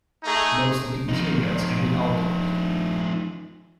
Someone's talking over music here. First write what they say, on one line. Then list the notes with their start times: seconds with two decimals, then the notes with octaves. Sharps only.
Most of the interiors have been altered.
0.24 A3 D#4 G#4
1.08 F3 D#4